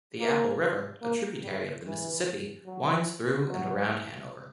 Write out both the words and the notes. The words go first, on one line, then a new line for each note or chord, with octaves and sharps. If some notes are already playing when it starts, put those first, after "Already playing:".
The Apple River, a tributary of the Mississippi, winds through and around Hanover.
A#3
A#3
G3
E3
F#3
F#3